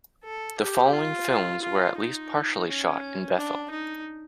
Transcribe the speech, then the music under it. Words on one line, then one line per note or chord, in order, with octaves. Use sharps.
The following films were at least partially shot in Bethel.
A4
G4
F4
F4
D#4
C#4
D4
D#4